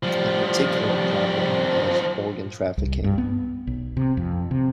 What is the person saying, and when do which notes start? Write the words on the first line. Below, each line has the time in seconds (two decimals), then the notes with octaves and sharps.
A particular problem is organ trafficking.
0.03 F3 G3
2.78 C2
3.04 G2
3.18 B3
3.67 B1
3.97 C3
4.17 F2
4.51 C3